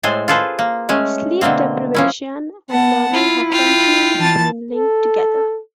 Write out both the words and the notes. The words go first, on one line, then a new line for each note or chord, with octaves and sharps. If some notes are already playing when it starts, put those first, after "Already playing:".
Sleep deprivation and learning have continually been linked together.
A2 G#3 A4 C5 G#5
F4 G#4 A4 B4 C5
A#3
G#3 A3 C#4
B2 D3 A3 A#3 C4
F3 C#4 E4
B3 F#5 A5
E4 F4
F4 G5
E3 A5 A6
A4